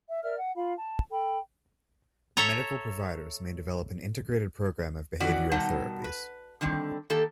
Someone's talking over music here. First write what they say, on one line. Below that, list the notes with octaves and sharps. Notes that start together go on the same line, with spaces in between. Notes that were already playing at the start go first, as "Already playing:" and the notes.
Medical providers may develop an integrated program of behavioral therapies.
E5
A#4 D5 E5 F6
F#5
F4 F5 B5
A5
A4 G5 B5
A4 C#5 E5 A#5
D#3 E3 B3 C#4 F#4 D5
B2 D#3 G3 D#4 F#5 A5
B4
D3 D#3 G3 C4
D#3 A#3 G4 A4